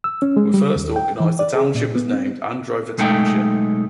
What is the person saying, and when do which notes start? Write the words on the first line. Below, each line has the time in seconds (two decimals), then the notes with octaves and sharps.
When first organized the township was named Androver Township.
0.04 E6
0.22 C#4
0.37 G#3
0.54 G3
0.76 D#2
0.96 G5
1.20 E3
1.39 D5
1.55 G#4
1.75 A#2
1.95 B3
2.14 C4
2.98 B1 G#3 A3 D#4 G5